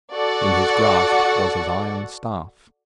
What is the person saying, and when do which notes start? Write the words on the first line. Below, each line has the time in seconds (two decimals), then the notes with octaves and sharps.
In his grasp was his iron staff.
0.13 F#4 A4 D5 F#5 C#6